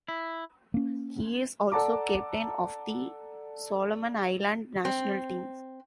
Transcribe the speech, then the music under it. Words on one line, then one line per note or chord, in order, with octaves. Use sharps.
He is also captain of the Solomon Island national team.
E4
A#3 C#4
A4 D5 F#5 A5 A#5 D6
C4